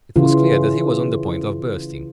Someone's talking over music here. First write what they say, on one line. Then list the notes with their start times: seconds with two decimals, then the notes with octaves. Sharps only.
It was clear that he was on the point of bursting.
0.16 C#3 E3 F4